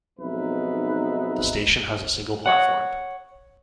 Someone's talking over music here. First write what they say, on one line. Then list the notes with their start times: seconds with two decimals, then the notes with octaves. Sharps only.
The station has a single platform.
0.19 B1 F2 G#2 D#4 B4 E5
2.46 C#5 F#5